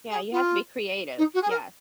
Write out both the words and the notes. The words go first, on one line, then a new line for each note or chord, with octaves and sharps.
Yeah, you have to be creative. Yes,
G#4
F4
D#4
F#4
G#4
A#4